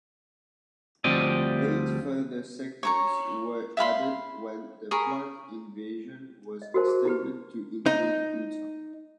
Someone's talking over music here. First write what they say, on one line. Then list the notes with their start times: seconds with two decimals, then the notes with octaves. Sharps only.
Eight further sectors were added when the planned invasion was extended to include Utah.
1.04 D2 F3 G3 C4 D5 D#5
2.83 C#5 A#5 C#6
3.77 E5 F5 B5 C6
4.91 G#4 A#4 B5 C#6
6.62 D#5
6.74 F#4 G4 A#4 C5 A5
6.88 G#4
7.05 E4 G4 B4
7.86 D#4